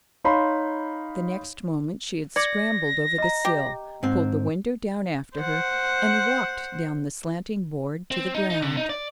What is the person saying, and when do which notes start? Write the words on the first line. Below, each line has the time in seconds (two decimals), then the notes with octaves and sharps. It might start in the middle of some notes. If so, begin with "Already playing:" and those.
The next moment she had scrambled over the sill, pulled the window down after her, and walked down the slanting board to the ground.
0.24 D#4 C#5 F5 B5 C6
2.36 D5 G#6 A#6 C#7
3.18 D#5 A#5
3.45 G4
4.03 G#2 C4
5.37 C5 F#5
8.11 C4
8.35 D#4
8.50 D#4
8.63 D3
8.77 D#4
8.90 D5